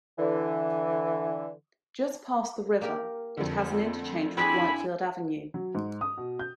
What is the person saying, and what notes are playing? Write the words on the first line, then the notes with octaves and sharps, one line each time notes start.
Just past the river, it has an interchange with Whitefield Avenue.
D3 E3
A#3 G4 A#4
F2 D3 A3 C4
C4 D4 E4 G#4 G#5 B5
F#3
G#2
D#6
B2
G6